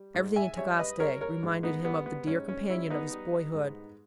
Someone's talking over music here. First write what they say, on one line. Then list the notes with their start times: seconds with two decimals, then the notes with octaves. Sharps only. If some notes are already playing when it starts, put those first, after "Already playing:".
Everything in Tagaste reminded him of the dear companion of his boyhood.
Already playing: G3
0.14 G#2
0.36 E5 G#5
0.57 G3 C#5 E5
0.79 B4 D#5
1.00 G3 A#4 C#5
1.21 A#4 C#5
1.43 G#2
1.63 B3 D#4
1.85 G3 B3
2.06 B3
2.27 G#2 C#4
2.48 C#4
2.69 G3 C#4 E4
2.90 B3 D#4
3.12 G3
3.55 G#2